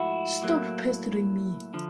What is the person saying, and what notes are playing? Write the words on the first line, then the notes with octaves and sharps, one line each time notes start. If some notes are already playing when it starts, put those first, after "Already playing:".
Stop pestering me!
Already playing: G#2 F3 A3 E4 F#4
A2 F#3 A#3
D3 F3